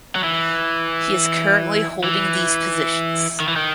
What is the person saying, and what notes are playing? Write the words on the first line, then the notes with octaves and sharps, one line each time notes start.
He is currently holding these positions.
F#3
E3
E3
D#3
E3
D#3